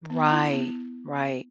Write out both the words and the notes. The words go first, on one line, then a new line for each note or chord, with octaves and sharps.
Right, right,
B3
E4
B3